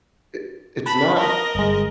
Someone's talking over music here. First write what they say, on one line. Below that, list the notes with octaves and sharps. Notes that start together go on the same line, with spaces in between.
i it's not
B4 A5 B5
A#4 D#5
G1 G#3